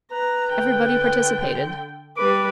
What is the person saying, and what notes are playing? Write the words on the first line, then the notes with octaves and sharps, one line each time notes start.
Everybody participated.
B4 A#5
D3 G5
G3 B4 D6